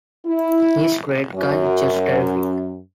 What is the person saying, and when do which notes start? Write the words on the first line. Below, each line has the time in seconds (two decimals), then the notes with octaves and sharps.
He's a great guy, just terrific.
0.26 E4
1.35 F#2